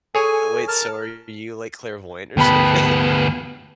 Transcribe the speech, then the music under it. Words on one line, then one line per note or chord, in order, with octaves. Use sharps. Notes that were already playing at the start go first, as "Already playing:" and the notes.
Wait, so are you, like, clairvoyant or something?
G#4 A4 C#5 G#5
A#4 A5 F6
D2 B3 G5 A5 B5